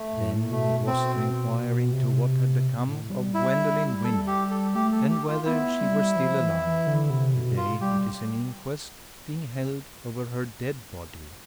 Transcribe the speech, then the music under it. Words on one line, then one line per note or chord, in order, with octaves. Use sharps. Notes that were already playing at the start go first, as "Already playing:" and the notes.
Then it was to inquire into what had become of Gwendoline Wynn, and whether she were still alive; to-day, it is an inquest being held over her dead body!
Already playing: A3
A2
B2 A3
C4
C3
A2
G3
E4
A4
G4
A4
A3 G4
A4
G4
F4
B3 E4
G3
F3
E3
E3
D3
C3
B2
F4
G3 G4